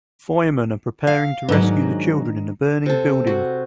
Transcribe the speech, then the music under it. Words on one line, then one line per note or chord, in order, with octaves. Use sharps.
Fireman are preparing to rescue the children in the burning building.
F5
G#2 F#3 D#4 B4
D#3 D4 D#4
C3 A4
F#4